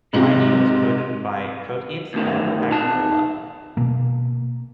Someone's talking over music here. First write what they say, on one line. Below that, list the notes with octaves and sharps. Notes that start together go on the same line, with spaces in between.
Pliny was quoted by Photius and Agricola.
G#2 C3
D2 B2 D#3
D#4 A5
B2 A#3